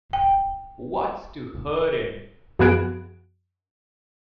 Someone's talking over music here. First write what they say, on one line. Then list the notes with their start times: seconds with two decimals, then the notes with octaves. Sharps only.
What's to hurt him!
0.13 G5
2.59 F#2 F3 B3 F#4 G#4 D7